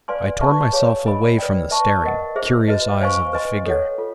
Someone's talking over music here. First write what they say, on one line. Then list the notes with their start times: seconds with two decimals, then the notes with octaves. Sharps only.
I tore myself away from the staring, curious eyes of the figure.
0.08 B4 D5 F5 G#5 C6
0.41 F#4 B4 E5 A5 C#6
0.73 G#4 C#5 F5 G#5
1.05 A#4 D#5 G#5 B5
1.38 B4 D5 G5
1.70 B4 E5 A5 C#6
2.03 A#4 D#5 F#5
2.36 G#4 C5 E5
2.68 F#4 B4 D#5
3.01 C5 F5 G#5 C#6
3.33 B4 D#5 G#5 C6
3.66 A4 C#5 F#5
3.98 F4 A4